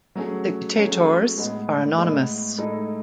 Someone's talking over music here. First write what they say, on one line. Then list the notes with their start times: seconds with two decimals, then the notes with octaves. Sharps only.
The "ktetor"s are anonymous.
0.15 F#3 A3 C#4 G#4
0.76 F#3 A3 C#4 G#4
1.37 A2 G#3 B3
1.97 A2 G#3 B3
2.58 A2 G#3 D#4 A4 D#5